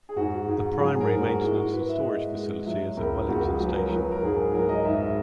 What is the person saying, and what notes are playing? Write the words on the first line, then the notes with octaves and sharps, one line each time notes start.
The primary maintenance and storage facility is at Wellington Station.
G#4
G#2 F#4
G#2
F#3 G#4
A#4
G#2
F#4
G#3 E4
F#4
G#3 B4
E5
G#3 D#5
G#3
F#3 E5
C#2 A#4
C#2 F#4
G#4
F#3
B4
A#4
F#3 B4
A#4
G#2 G#4
A#4
F#3 A#4
D#5
G#2 E5
E5